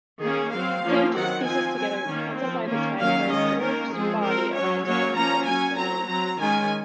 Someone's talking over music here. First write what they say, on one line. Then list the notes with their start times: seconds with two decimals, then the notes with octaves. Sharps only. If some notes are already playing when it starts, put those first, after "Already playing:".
Santos pieces together the puzzle by the time Bergdorf's body arrives at the mortuary.
0.22 D#3 A#3 C#4 G#4
0.52 F#3 C4 F5
0.83 F3 A#3 C#4
1.14 D#3 F#3 C4 F#5
1.46 F3 C4 G#5
1.76 F#3 C4 G#5
2.07 D#3 A#3 C#4
2.38 F3 C4
2.69 D#3 A#3 C#4
2.99 D#3 F#3 A#3 C#4 F5
3.30 D#3 G#3 C#4 D#5
3.61 D#3 A#3 C#4 A#4
3.92 F3 G#3 C4 G#4
4.23 F3 C4 A#4
4.54 F#3 C#4 C#5
4.86 F#3 A#3 C#4 C#5
5.17 F3 A#3 C#4 A#5
5.47 F#3 C#4 G#5
5.78 F#3 C4 A#5
6.08 F#3 C4 A#5
6.40 D#3 G#3 C#4 G#5